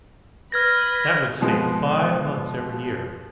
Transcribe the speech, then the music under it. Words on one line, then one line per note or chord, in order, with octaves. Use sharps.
That would save five months every year.
B4 F6 G#6 A#6
B2 F3 G#3 B3